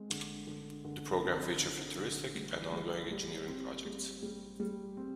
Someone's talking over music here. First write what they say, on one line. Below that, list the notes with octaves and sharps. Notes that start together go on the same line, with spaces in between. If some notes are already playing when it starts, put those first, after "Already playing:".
The program featured futuristic and ongoing engineering projects.
Already playing: G#3 C4
D3
D3
D3
C4
D3
D3
G3
G3
G3
C4
G3
G3
G3
C4